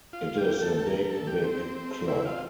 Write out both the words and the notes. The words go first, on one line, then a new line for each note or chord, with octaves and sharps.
It is a big, big club.
F4
G4
A4
A#4
A#4
A4
G4
C4
E4
F4